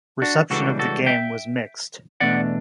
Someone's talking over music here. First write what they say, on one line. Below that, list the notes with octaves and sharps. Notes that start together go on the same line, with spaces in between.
Reception of the game was mixed.
D4 F#4
C#2 C#3 E3 G3 D4 F#4 A4
F#4 A4
E5 G5
E2 B2 A3 D4 D5 F#5